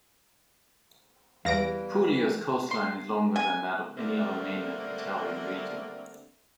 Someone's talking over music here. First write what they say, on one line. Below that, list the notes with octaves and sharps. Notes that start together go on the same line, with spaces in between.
Puglia's coastline is longer than that of any other mainland Italian region.
E2 E3 G3 B4 F5 A#6 D7
C6
G#5
D3 G3 A3 A#3 C4